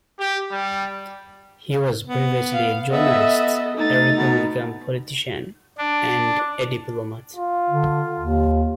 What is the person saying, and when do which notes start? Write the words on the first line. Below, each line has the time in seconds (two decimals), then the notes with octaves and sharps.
He was previously a journalist, a Republican politician, and a diplomat.
0.19 G4
0.50 G3
2.06 B3
2.53 F5
2.91 B3 A4 D#5 E5
3.77 A3 D#4 A6
4.17 B2
5.78 D4
7.36 F4
7.70 D3
8.20 D#2